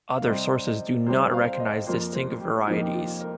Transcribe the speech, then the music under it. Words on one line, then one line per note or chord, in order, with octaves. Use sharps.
Other sources do not recognize distinct varieties.
F5
C3 G3 C4 D#5
D#5
C3 G3 C4 C5
F5
C5
D#5
F2 F3 A#3 C5
C5
G4
F2 F3 A#3 D#4
G4
F4
A#4